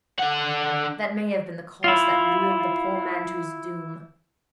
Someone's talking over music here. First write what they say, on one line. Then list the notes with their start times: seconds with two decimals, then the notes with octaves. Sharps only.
That may have been the cause that lured the poor man to his doom.
0.19 D3 F#5
1.84 E4 F4